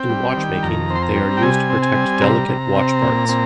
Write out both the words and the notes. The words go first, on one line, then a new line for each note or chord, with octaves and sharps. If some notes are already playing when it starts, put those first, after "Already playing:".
In watchmaking they are used to protect delicate watch parts.
Already playing: C4 G5
G3
D#3
F2 A#5
C4
C6
A#5
G3
G5
C3 G#5
C4
G#5
G3
C3 A#5
C3
C4
A#2
C4